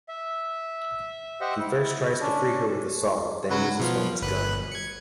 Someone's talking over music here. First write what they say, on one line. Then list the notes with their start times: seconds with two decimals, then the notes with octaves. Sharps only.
He first tries to free her with a saw, then uses Wayne's gun.
0.09 E5
1.41 G4 C5 D#5 E5 F#5
1.60 E4
2.20 C#4 D4
3.50 C#3 F#3 F#4 B4 B5
3.79 B2 F3 F4
4.22 G1 B4 F#6
4.72 G#6 C#7